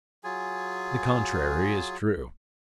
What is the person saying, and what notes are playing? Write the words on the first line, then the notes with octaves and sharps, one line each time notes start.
The contrary is true.
F#3 F4 G#4 G#5